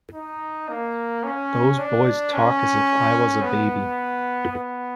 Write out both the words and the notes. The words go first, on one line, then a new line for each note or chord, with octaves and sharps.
Those boys talk as if I was a baby.
D#4
A#3
C#4
D4
C#4
B3
B3